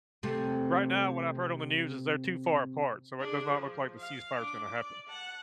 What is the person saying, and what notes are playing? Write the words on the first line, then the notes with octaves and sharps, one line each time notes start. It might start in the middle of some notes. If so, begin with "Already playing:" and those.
right now, what I've heard on the news is they're too far apart, so it does not look like the ceasefire is gonna happen.
C3 A3
D4 G#4
F3
F5
D4 D6
D5
F#5 A5